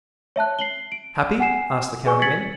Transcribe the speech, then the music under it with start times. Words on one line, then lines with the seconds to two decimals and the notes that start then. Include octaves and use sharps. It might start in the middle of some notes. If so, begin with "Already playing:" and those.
"Happy?" asked the count again.
0.36 C#5 E5 A5 F#6
0.59 C7 F#7 G7
0.92 D7
1.40 F#5 G#5 C7 E7
2.06 G#4 B4 G#5 C#6
2.22 G#6 A6 B6 C#7 F#7